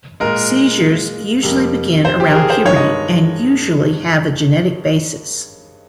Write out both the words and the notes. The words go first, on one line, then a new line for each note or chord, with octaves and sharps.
Seizures usually begin around puberty and usually have a genetic basis.
A#2 G#3 A#4
F2 C3 G3 A#3
C5
G4
A#4
G#4
C5
G2 D#3 G#3 C#5
D#5